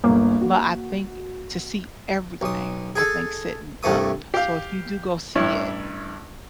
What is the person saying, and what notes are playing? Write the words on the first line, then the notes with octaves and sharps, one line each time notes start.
but I think to see everything I think sitting up So if you do go see it
G1 C#2 A#3
F#4
B1 D#6
G#4 A4
C2 G2 A3 D#6
G4 F5
A1 G2 E4 C#5